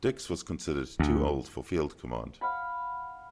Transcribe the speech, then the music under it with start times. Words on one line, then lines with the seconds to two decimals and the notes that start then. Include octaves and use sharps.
Dix was considered too old for field command.
0.99 D2
2.41 F5 F#5 B5